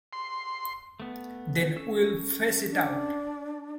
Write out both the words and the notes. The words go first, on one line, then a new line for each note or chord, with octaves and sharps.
Then we'll face it out.
C6
A3 B3
C#4 A4 E6
D4